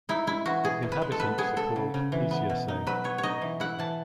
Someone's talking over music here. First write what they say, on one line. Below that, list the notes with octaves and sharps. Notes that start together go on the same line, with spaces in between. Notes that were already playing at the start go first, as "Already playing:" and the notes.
Inhabitants are called "Pisciacais".
D#4 E4
G#3 E4
E3 F#4
B2 G#4
B2
B4
G#3
A4
B3 B4
B3 G#4
B3 A4
C#3
C#3
E3
B3
B2
D#4
F#3 B4
B3 C#5
C#5
D#4 D#5
E3
E4 F#5
E3 A5